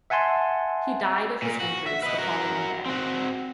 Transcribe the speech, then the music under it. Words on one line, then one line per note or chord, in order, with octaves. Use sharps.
He died of his injuries the following day.
E5 F#5 G#5 A5 C6
A#2
F#4
E5
B4 D#5
F#4 A#4
C4 F#4